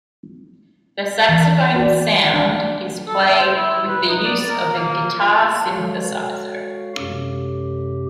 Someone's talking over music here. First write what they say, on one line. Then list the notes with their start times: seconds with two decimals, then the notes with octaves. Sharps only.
The saxophone sound is played with the use of a guitar synthesizer.
1.29 E3
1.76 F#4 D5
2.34 D4 D5
3.07 A4
3.22 E5
3.38 C5
3.56 E4
3.88 B4
4.09 D#4
4.24 D5
4.49 A#4
4.75 A#3
5.18 F4
5.72 G#3 F#4 A4 C#5 F5
6.97 F#2 C3 G4